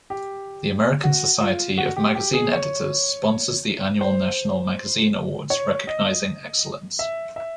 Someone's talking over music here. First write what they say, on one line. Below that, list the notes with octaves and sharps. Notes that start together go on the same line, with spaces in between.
The American Society of Magazine Editors sponsors the annual National Magazine Awards recognizing excellence.
G4
F#4
F4
F#4
G4
G4
G#4
C#5
C5
C#5
D#5
E5
E5